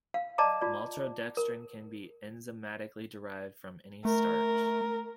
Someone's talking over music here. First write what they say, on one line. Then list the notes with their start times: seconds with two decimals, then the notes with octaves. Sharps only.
Maltodextrin can be enzymatically derived from any starch.
0.14 F5
0.38 D5 D#5 A5 A#5 D6
0.62 F4 D5
1.37 A#4
4.05 A3 A#4